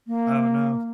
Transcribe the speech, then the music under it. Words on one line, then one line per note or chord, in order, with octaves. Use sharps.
Oh no.
A#3